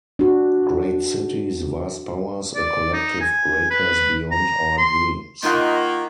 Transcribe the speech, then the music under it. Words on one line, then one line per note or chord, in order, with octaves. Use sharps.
Great cities, vast powers, a collective greatness beyond our dreams.
D4 F#4
D5
D#4
G#5
B4
A#5
C6
D#3 A#3 D#4 F4 D#5 F#5 C6